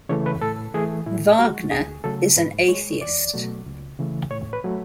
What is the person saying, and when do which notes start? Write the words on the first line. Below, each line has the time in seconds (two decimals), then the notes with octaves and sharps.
Wagner is an atheist.
0.09 C#3 E3 A3 C#5
0.26 B4
0.41 A2 A4
0.74 E3 A3 G#4
1.06 A2 E4
1.39 G#3 F#4
1.71 D2 G#4
2.04 C#3 F#3 A3 A4
2.36 G#2 B4
2.68 G#3 C#5
3.01 E2 D5
3.34 B2 F#3 A3
3.66 C#2
3.99 C#3 E3 A3
4.31 A2 C#5
4.53 B4
4.64 F#3 A3